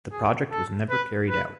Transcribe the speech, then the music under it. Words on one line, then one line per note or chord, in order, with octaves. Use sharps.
The project was never carried out.
G#4
A4
B4
B4